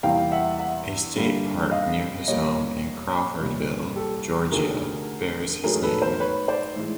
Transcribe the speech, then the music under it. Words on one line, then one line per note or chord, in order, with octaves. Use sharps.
A state park near his home in Crawfordville, Georgia bears his name.
E2 C3 E3 G3 A#3 F5 G5
E5 F#5
E5 F#5
G2 D3 G3 A#3
D#5 F5
A#2 G3 A#3 C#5 D#5
C2 A#2 G3
G4 A4
D2 C3 D#3 F#3 A3 G#4 A#4
G#2 D#3 F#3 A3 G#4 A#4
A4 B4
A#4 C5
B4 C#5
C5 D5
A2 E3 G#3